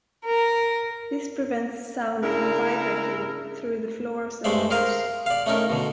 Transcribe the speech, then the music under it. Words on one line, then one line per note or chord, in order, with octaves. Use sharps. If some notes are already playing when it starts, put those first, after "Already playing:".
This prevents sound from vibrating through the floors and walls.
A#4
C#3 D4 E4 A#4
G2 G#3 A3 C5 D5 E5
G#4 A#4 C5 F5
D5 F5
A3 C#4 D#4 E4 A#4
B2 D3